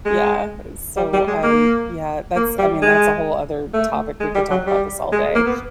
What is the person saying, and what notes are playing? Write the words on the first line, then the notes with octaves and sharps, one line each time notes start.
Yeah, so, um, yeah, that's I mean, that's a whole other topic, we could talk about this all day,
G#3
G3
G3
G#3
A#3
A#3
G3
G#3
A3
G#3
G3
F#3
G3
G#3
A#3
B3